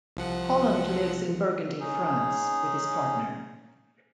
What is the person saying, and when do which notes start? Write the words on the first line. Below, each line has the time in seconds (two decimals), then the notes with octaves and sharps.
Holland lives in Burgundy, France with his partner.
0.17 C2 F3 F#5
1.80 C#4 D#4 G#4